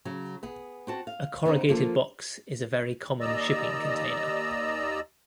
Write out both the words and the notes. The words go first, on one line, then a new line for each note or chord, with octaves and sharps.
A corrugated box is a very common shipping container.
C#3 F#3
B3 G#4
C4 F#4 A5
F5
C#3 B3 D#4 C5
F3 A#3 A4
D#2 D5 D#5 A#5 E6